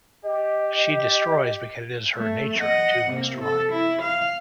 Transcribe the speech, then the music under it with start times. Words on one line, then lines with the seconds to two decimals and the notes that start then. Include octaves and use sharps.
She destroys because it is her nature to destroy.
0.24 G4 D#5
2.16 A3
2.59 D#5 F#5
3.09 C3 A#3
3.43 A4
3.72 E4
4.02 F5